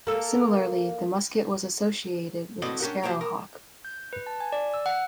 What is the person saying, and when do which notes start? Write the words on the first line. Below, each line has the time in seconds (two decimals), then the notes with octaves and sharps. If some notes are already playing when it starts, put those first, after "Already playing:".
Similarly, the musket was associated with the sparrowhawk.
0.07 A#3 A4
2.62 A2 C4 F#4 B4 D5 D#5
2.80 C#4 D4 G4 A#4 F#5
3.03 C2 F#3 C5 C#5 G5 A#5
3.21 A#4
3.85 G6
4.13 B4
4.27 A5
4.40 G#5
4.52 D5
4.74 E6
4.86 F#5